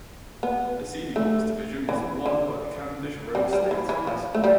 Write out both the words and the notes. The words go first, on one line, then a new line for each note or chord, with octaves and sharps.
The Senior Boys division was won by Cavendish Road State High School.
B3
A3
E3
D3
G3
G3
E3
E3
F3
A3
G3